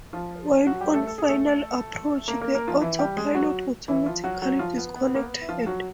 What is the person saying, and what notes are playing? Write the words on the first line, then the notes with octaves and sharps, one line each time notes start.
While on final approach, the autopilot automatically disconnected.
F3 F4
F#3 F#4
G3 G4
A3 A4
A4
G#4
A3 A4
A#3 A#4
A#3 A#4
A#3 A#4
F3 F4
E3 E4
G3 G4
G#3 G#4
F#3 F#4
E3 E4
F3 F4
F#3 F#4
F#3 F#4
F3 F4
B3
B3
A#3
B3
E4
F3 F4
F#3 F#4